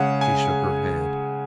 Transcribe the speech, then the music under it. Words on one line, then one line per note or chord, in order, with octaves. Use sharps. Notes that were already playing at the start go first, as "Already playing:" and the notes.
She shook her head.
Already playing: C#3 G#3 C#4 F#5
G#5